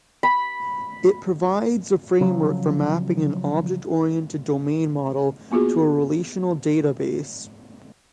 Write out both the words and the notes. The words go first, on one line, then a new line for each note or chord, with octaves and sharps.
It provides a framework for mapping an object-oriented domain model to a relational database.
B5
C#3 F3 F#3
A#3 B3 F4 F#4 G#4